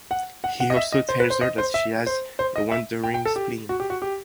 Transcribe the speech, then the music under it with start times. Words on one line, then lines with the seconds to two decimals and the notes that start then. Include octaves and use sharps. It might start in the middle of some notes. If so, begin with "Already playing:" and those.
He also tells her that she has a wandering spleen.
0.11 F#5
0.44 F#5
0.60 F#5
0.70 D#5
0.76 E5
0.92 D#5
1.09 C5
1.20 B4
1.30 C5
1.41 D#5
1.58 C5
1.74 E5
2.06 C5
2.39 C5
2.56 D#5
2.71 E5
3.04 G5
3.14 G5
3.25 A4
3.36 G4
3.69 F#4
3.80 G4
3.90 F#4
4.02 G4